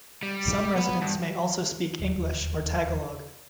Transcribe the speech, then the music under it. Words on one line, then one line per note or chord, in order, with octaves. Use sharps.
Some residents may also speak English or Tagalog.
G3
B3 B4
G2
E1 D#2 D3 F3